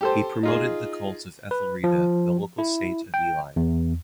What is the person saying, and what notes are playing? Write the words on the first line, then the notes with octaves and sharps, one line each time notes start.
He promoted the cult of Ethelreda, the local saint of Ely.
G4 A4 C5
D#4 F4 G#4
B4
F3
E4
G5
E2